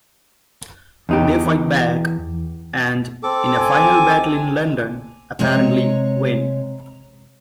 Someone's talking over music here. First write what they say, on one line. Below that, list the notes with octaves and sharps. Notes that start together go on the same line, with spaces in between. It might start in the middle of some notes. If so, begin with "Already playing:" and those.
They fight back and, in a final battle in London, apparently win.
E2 D#4 G4
C4 A4 D6
G#5
C3 G#3 C#5 A#5